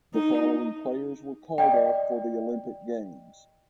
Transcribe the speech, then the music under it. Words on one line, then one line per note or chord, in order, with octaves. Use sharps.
The following players were called up for the Olympic Games.
D#4
D5 D#5 G5